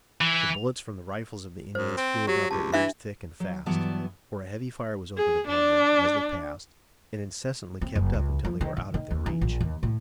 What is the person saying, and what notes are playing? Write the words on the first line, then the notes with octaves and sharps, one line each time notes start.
The bullets from the rifles of the Indians flew about their ears thick and fast, for a heavy fire was opened upon them, as they passed, and incessantly kept up until they were out of their reach.
E3
F#2 C5
C4
F#3 G4
C#2 A5
E3 D4 E5 C6
F#3
G2 E3 F#3 B3 D5 A5
G#4
D4
C4
F#1
C#2
F3
D#3
D#3
D#3
D#2
E3
A#1
D#2
A2